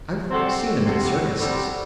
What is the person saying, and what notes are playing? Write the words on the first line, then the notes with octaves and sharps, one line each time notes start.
"I've seen 'em--in circuses."
C3 G3 C4 F#4 A4
C3 G3 C4 F#4 A4
C3 G3 C4 F#4 A4